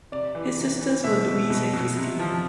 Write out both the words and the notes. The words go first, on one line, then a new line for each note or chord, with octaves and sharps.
His sisters were Luise and Christine.
C3 D5
E3
C3
E3
B2 E5
B2
B2
B2
C3
F3